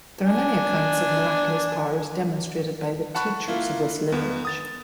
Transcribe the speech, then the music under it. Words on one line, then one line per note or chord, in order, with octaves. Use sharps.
There are many accounts of miraculous powers demonstrated by the Teachers of this lineage.
D4 G#5
F#5 A5 B5 C#6 F#6
A#3 E4 F4
E2 B3
D#6 A6